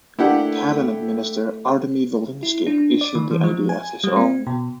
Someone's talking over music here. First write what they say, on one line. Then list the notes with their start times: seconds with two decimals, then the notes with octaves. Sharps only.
Cabinet Minister Artemy Volynsky issued the idea as his own.
0.19 A3 A#3 D4 E4 G4 F#5
2.43 E4
2.66 D4
3.01 D5
3.15 D#3
3.31 E3
3.44 F3
3.69 G#5
4.04 G3
4.16 C4
4.47 B2